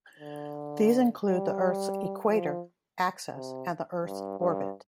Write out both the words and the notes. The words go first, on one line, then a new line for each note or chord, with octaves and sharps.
These include the Earth's equator, axis, and the Earth's orbit.
D3
G3
F3
C3
G2
G2